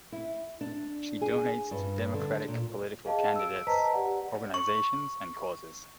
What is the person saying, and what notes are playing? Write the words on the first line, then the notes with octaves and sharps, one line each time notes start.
She donates to Democratic political candidates, organizations, and causes.
E4
D4
G#4
G2
D3
A#2
G#4 D#5 F5 A5
E6 D7
B4 C5 D#5 A5 A#5 B6
G4 D5 F#5
C#6